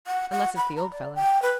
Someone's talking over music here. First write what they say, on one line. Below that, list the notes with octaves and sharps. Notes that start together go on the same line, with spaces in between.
"Unless it's the old fellow."
F#5
F#5
B5
A#5
D5
G5
B4